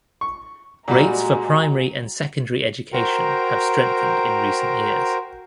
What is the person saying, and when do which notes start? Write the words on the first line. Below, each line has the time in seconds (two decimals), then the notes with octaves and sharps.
Rates for primary and secondary education have strengthened in recent years.
0.21 C#6
0.88 A#2 G3 G#3 F#4 G4 D5 A#5
2.93 F#4 A#4 C5 G5 A#5